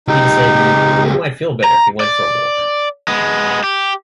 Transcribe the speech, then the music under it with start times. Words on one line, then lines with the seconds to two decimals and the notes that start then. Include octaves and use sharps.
Peter said he thought he might feel better if he went for a walk.
0.08 C#2 D#4 G4
1.64 A#5
2.00 D5
3.08 G#3 B3
3.64 G4